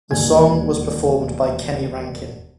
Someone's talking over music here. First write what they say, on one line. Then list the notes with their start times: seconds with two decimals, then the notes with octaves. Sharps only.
The song was performed by Kenny Rankin.
0.11 E1 D#2 D#3 G#5 G#6